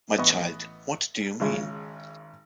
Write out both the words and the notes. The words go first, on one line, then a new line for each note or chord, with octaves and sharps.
My child, what do you mean?
A1 B3 D#5 C#6
G#1 C#3 G#3 F4